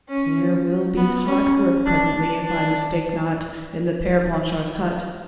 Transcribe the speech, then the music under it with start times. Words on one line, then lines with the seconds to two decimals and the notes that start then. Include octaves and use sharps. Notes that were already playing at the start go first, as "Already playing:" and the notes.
There will be hot work presently, if I mistake not, in the Pere Blanchard's hut.
0.09 C#4
0.97 B3
1.26 C#4
1.86 D4
2.16 D4
2.45 D4